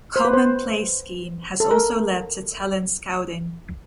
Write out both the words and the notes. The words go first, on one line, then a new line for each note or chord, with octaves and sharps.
'Come and Play Scheme' has also led to talent scouting.
C5
B4
C5
A4
A#4